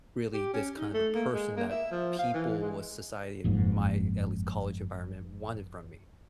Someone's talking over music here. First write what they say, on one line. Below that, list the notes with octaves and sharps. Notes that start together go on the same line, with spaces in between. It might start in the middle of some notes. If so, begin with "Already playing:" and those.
really this kind of a person that people of society in my at least college environment wanted from me.
G4
C#4
D#4
A3
A#3
G#3
A#3
E5
F3
F5
E3
G#3
F#1 F2 G#2